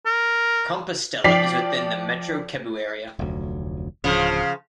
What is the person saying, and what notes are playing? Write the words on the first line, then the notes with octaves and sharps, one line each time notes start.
Compostela is within the Metro Cebu area.
A#4
F3 D5 G5 B6 C7 F7
F1 D2 F#3
D1 C#3 F3